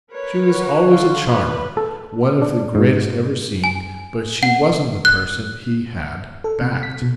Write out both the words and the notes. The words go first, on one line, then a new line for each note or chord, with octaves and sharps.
She was always a charmer, one of the greatest ever seen, but she wasn't the person he had "backed."
A#4 B4 C#5
F#4
D3 F4
B4
A4
D4
G#2
G#5
F#5
F#6
A4
C3
B6
B2